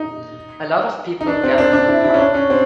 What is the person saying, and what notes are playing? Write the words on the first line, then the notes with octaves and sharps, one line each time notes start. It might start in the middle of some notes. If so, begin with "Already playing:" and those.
A lot of people gathered in a park.
Already playing: D#4
D#4
D4
C4
D4
D4
E4
E4
C#4
D4
C#4
C4